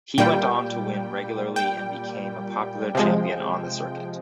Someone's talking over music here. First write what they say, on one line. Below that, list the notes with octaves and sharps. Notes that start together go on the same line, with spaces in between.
He went on to win regularly and became a popular champion on the circuit.
A#2 G3 G5
G5
C3 F3 G#3